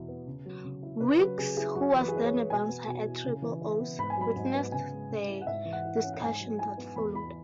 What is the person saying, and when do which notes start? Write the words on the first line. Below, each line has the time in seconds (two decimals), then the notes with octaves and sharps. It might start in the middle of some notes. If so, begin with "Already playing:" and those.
Weeks, who was then a bouncer at Triple O's, witnessed the discussion that followed.
Already playing: E2 B2 E4
0.08 B3
0.27 C#3
0.46 F#3
0.64 C#3
0.83 E4
1.00 C#3 B4
1.19 F#3 B4
1.38 C#3 G#4
1.57 E4 G#4
1.75 F#2 F#4
1.94 E3
2.01 B4
2.08 G#4
2.12 E4 B4
2.25 C#5
2.31 B3
2.50 B2 G#5
2.69 B3
2.87 B2
3.06 E4
3.24 C#3
3.42 E3
3.61 E4
3.80 B3
3.99 G#2 B5
4.10 G#5
4.17 F#3 B5
4.36 G#2
4.55 B3
4.72 C#3 G#5
4.92 G#3
5.10 C#3
5.28 E4
5.41 F#5
5.47 G#2 E5
5.65 E3
5.73 F#5
5.85 E4
5.96 F#5
6.03 C#4
6.14 F#5
6.21 G#2 G#5
6.41 F#3
6.58 E4 G#5
6.78 B3
6.96 E2 B5
7.14 E3 B5